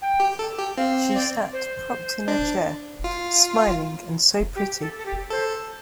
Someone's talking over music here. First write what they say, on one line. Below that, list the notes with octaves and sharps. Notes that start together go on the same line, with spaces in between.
She sat propped in her chair, smiling, and so pretty.
G5
G4
A4
G4
C4 F5
D5
C5
D4
F4
G4
A4
A4
G4
A4 C5